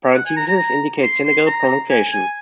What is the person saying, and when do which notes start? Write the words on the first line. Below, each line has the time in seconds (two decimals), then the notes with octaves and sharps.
Parentheses indicate Senegal pronunciation.
0.15 F#5
0.26 G#5
0.36 A#5
0.47 A#5
1.03 C6
1.26 C6
1.47 A#5
1.91 G#5
2.13 G#5